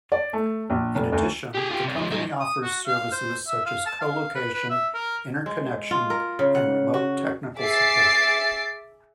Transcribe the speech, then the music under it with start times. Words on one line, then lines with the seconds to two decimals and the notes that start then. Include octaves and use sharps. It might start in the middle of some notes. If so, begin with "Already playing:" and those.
In addition, the company offers services such as colocation, interconnection and remote technical support.
0.12 D5
0.33 A3
0.70 A#1
0.95 F1
1.12 D2
1.55 G4 G#4
1.71 F4 G4
1.84 C3 D4
1.96 F3 G#3
2.10 G3 D#4
2.40 D#6
2.62 F#4
2.86 F5
3.12 C5
3.48 E5
3.66 F5
3.86 A5
4.01 F5
4.35 B4
4.54 B4
4.70 E5
4.94 A#4
5.46 G#3
5.91 F4
6.10 A#4
6.39 C#3
6.55 F#5
6.94 F#4
7.60 G#4 E5 D6 A6 C7